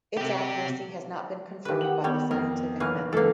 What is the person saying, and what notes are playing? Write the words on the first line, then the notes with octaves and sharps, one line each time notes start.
Its accuracy has not been confirmed by the scientific method.
C3 G4
D#3 G4 B4
F#5 G5 F#7
D#3 G3 B3 C#5
F2 A#4
B1 E3 F#3 A#3 F6
C#2 E3 A#3 A4 B4